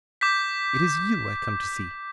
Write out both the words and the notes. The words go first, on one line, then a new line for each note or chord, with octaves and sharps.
It is you I come to see.'
D6 G6 B6